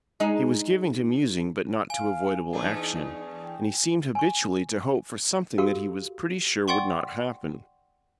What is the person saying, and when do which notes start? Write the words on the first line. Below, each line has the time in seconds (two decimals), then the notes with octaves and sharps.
He was given to musing but not to avoidable action, and he seemed habitually to hope for something that he was pretty sure would not happen.
0.20 G#3 D#4
1.90 F5 G#5
2.53 E2 A3 D4 D#4
3.43 G5
4.15 G#5 C#6
5.58 F#4 G4 A4 A#4 F5 C#6
6.68 D5 F#5 G5 C6 C#6